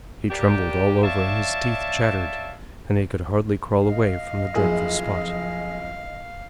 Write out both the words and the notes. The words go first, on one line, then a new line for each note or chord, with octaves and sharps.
He trembled all over and his teeth chattered, and he could hardly crawl away from the dreadful spot.
A#3 D4 G4
C#5 D5 E5 F5 A5
D#5 F5
F#1 F2 G#4